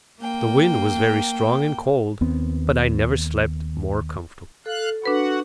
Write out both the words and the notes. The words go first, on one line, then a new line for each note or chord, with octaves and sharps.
The wind was very strong and cold, but I never slept more comfortably.
A#3 G5
D#2 B3 C4
A4 F5 F#6
D4 F#4 B4 F#5 B5